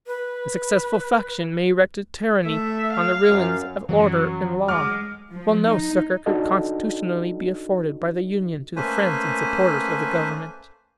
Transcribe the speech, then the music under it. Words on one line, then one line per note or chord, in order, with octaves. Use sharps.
A successful faction may erect a tyranny on the ruins of order and law, while no succor could constitutionally be afforded by the Union to the friends and supporters of the government.
B4
A3 E5
F5
F#2
F#2 E3 F#3
G#3 D6 F6
F3
D#4
D4 D#4 F#4 A4 D#5
A3 A#3 C#4 B4 C5 G#5